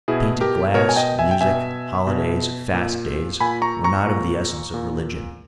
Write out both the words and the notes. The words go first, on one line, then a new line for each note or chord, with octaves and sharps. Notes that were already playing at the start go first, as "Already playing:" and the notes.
Painted glass, music, holidays, fast days, were not of the essence of religion.
B2 E4 G#4
G4 A#4
B2 A#4 C#5
G#5
D#5 G5
E5 G#5
G5
B2 E5 G#5
B2
A#2
A#2 G#5 B5
A#5 C#6
A#5 C#6
A#2
A#2